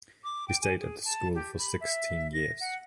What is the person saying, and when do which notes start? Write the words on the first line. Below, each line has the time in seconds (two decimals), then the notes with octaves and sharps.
He stayed at the school for sixteen years.
0.24 D6
0.48 G5
0.62 G#5
0.80 G#4
1.05 A5
1.35 G4
1.58 B5
1.80 E5
2.33 A#6
2.60 F#5